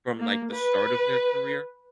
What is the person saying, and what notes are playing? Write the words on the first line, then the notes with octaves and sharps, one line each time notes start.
from, like, the start of their career
A#3
B4